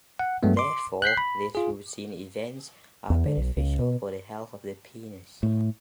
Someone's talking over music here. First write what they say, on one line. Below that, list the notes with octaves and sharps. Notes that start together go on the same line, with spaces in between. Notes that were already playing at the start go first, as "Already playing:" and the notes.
Therefore, these routine events are beneficial for the health of the penis.
F#5
G2 F#3 G#3 A3 B3
C6 D6
F#6 G6 B6 C7
B5
F4 G#4
E2
D3
B1
C#2
B2
A2